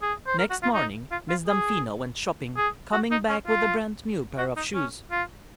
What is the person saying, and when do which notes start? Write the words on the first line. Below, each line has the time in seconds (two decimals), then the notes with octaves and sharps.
Next morning Miss Damfino went shopping, coming back with a brand new pair of shoes.
0.02 G#4
0.27 C5
0.38 A#4
0.50 F#4
0.63 F4
0.74 D#4
1.11 F4
1.29 F4
1.47 G#4
2.57 G#4
2.93 F#4
3.11 D#4
3.29 C#4
3.47 F4
4.38 F#4
4.56 D#4
4.74 C#4
5.11 F4